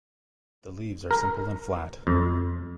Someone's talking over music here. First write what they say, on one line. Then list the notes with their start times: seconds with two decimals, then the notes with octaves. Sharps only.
The leaves are simple and flat.
1.11 A#4
2.07 F2